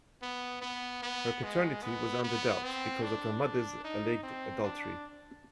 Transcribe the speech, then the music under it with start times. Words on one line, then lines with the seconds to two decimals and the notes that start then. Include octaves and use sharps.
Her paternity was under doubt because of her mother's alleged adultery.
0.22 B3
0.61 B3
1.02 B3
1.43 G#3
1.82 B3
2.23 B3
2.64 C4
3.03 D4
3.84 D#4
4.23 C4
4.63 D4